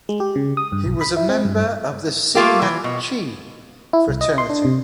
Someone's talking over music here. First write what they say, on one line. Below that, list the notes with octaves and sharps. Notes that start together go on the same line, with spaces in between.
He was a member of the Sigma Chi fraternity.
G#3
G4
C#3
D#6
G2
B1
B5
E4
C4
G2
A3 A#3 F4 G4
E3
B2
E4
C2
D#5
C6
D4
C3